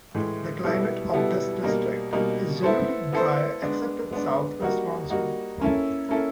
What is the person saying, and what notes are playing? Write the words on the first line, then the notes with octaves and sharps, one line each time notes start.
The climate of this district is generally dry except in south-west monsoon.
A2 E3 G#3
B2 G3 B3 E4 A4
B2 G3 B3 E4 A4
B2 G3 A#3 D#4
B2 G3 A#3 D#4
B3 E4 A4 C5
B3 E4 A4 C5
G#3 B3 D4
G#3 B3 D4
G3 A#3 D#4 F#4
G3 A#3 D#4 F#4
A#3 C#4 E4 A4
A#3 C#4 E4 A4